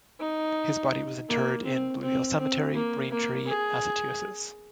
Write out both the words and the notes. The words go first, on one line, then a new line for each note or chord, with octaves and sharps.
His body was interred in Blue Hill Cemetery, Braintree, Massachusetts.
D#4
A#3
C4
C4
C4
A#3
A#3
G#4